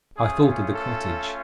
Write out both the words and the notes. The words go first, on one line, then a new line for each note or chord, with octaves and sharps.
I thought of the cottage.
A3 C#4 F4 G#4
G#4
A4